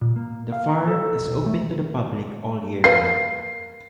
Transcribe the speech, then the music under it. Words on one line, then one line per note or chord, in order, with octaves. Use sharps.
The farm is open to the public all year-round.
A#2
A#3
F5
A#5
A4
B1
A3
A#3 B4 F5 C7